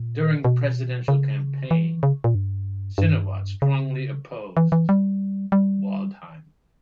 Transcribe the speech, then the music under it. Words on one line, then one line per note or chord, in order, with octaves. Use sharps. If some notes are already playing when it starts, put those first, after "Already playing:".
During the presidential campaign, Sinowatz strongly opposed Waldheim.
Already playing: A#2
B2
C#3
E3
C#3
A#2
G2
G2
C#3
E3
E3
G3
G3